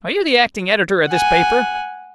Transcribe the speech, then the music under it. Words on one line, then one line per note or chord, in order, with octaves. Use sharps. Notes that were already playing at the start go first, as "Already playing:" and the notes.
"Are you the acting editor of this paper?"
F#5 G#5